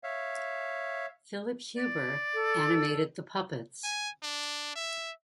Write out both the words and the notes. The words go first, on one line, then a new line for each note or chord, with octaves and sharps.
Phillip Huber animated the puppets.
C#5 E5 F5
D5
A4
G#5
D4
E5